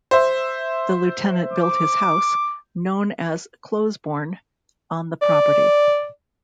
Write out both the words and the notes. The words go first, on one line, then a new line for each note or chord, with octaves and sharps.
The lieutenant built his house, known as Closebourne, on the property.
C5 E5
D6
D5